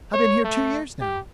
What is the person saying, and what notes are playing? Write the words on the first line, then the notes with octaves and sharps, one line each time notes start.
I've been here two years now.
C#5
A3
G4